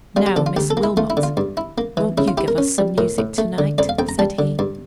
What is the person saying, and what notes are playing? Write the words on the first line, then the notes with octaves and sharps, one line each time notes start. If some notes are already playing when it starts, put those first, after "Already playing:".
'Now, Miss Wilmot, won't you give us some music to-night?' said he.
G3 F4
G4
D3 A4
F4
D2 G4
A4
A#3
E4
A3 F4
E4
D3
F4
G2
E4
A#3
E3
C#3 E4
F4
E4 G4
A#4
C#4
G3
A2 A#4
A2
A3
D3
F2 D5
F5
F2 G5
A#5
G3 A5
D3
G2